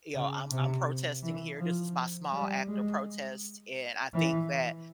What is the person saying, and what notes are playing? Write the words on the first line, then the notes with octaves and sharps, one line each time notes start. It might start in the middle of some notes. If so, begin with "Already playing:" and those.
you know, "I'm I'm protesting here, this is my small act of protest." And I think that
C#3
C3
E3
F3
G3
G#3
E3